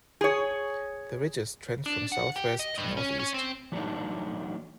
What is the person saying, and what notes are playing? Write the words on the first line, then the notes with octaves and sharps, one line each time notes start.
The ridges trend from southwest to northeast.
G#4 C#5
D4
F#5
G4
D#5
G2
C#4
C#4
C4
E3 F#3 A3 A#3 D4 D#4